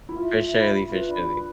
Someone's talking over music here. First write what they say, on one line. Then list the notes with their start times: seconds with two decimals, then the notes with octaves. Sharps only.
for surely, for surely.
0.09 E4
0.16 F4 E5
0.34 E5
0.53 B5
0.71 E5
0.89 F4 B4
1.08 D4 B5
1.27 B4